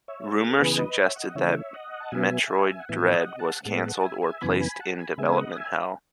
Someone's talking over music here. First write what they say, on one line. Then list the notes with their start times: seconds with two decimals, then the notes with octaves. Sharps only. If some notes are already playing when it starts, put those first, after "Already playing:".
Rumors suggested that "Metroid Dread" was cancelled or placed in development hell.
0.08 C#5 E5
0.39 G#4
0.49 A4
0.58 C#3 E3 B3 G#4 B4
0.77 B4 D#5
0.97 C#5 E5
1.16 D#5 F#5
1.35 C#3 E3 A3 C#5 E5
1.74 D#5 F#5
2.00 A5
2.12 B2 F#3 B3 E5 G#5
2.80 F#5
2.89 A2 E3 B3 E5 G#5
3.14 D#5 F#5
3.39 F#5 A5
3.65 A2 G#3 B3 F#5 A5
3.83 F#5 A5
4.03 E5 G#5
4.22 E5 G#5
4.41 F#2 C#3 E3 B3 G#5 B5
4.60 G#5 B5
4.79 F#5 A5
4.99 G#5 B5
5.18 C#3 G#3 B3 E5 G#5
5.37 D#5 F#5
5.56 E5 G#5